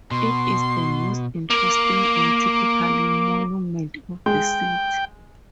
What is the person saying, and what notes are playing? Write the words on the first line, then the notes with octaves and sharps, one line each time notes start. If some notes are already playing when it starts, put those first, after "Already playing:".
It is the most interesting and typical monument of the city.
B2 C6
A#3 A#4 D6
G#3 G5